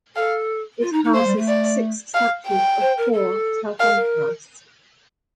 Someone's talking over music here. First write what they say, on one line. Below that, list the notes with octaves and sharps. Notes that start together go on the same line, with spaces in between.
It houses six statues of four tirthankaras.
A4 F5
F4
D#4
D#4
A#3 C5
G3
A3
D5
F5
G5
C5
A#4
A4
A#4 F5
A#4